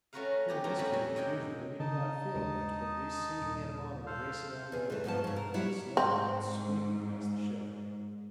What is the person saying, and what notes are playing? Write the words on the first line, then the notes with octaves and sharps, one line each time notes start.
Here in this camp as usual we do not feel it much, but we see the anemometer racing on the hill and the snow clouds sweeping past the ship.
A3 C#4 F#4 A#4 B4 F5
B3 G4 A#5
F#2 A3 G4 A#4 A#5
F2 G3 C#4 F#4 B5
E3 F#3
F#2 C3 D#5 G5 G#5
C#3 D#4 D#5 A5
D#2 G#3 D4
D#1
A4 C5 F5
E2 G#4
E3 A3
G#2 B2 F3 A5
G#2 C#3
A#4
F#3 G3 E4
G#2 C4